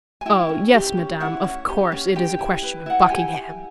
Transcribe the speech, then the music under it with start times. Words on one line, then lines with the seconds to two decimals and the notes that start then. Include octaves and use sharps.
"Oh! yes, madame; of course, it is a question of Buckingham."
0.21 G#5
0.26 E4 G5
0.49 C#4
0.74 G4
0.97 C#4
1.20 E4 F#5
1.44 C#4
1.68 G4
1.92 C#4
2.16 G4 G5
2.39 E4
2.63 B4
2.86 E4 F#5
3.00 G5
3.10 G4 G#5